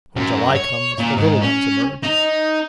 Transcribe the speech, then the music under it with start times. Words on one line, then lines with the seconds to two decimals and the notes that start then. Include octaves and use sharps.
When July comes, the little ones emerge.
0.16 F#2
0.55 C#5
0.98 A#2
1.17 G#2
1.41 C#4
2.03 D#4